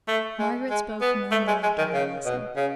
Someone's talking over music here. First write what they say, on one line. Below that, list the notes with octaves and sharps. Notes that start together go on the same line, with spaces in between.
Margaret spoke no more during the lesson.
A3
G#3
G#3
B3
A3
G#3
G#3
D#3
C#3
B2
C#3